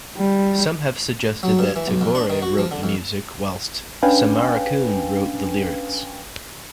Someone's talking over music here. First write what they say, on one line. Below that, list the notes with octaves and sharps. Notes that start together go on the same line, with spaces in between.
Some have suggested that Tagore wrote the music whilst Samarakoon wrote the lyrics.
G3
F#3
G2
E3
B1
F2
D4
D#3
F#4
F3
D3
F2
C#4 D4 B4 F5 G5 G#5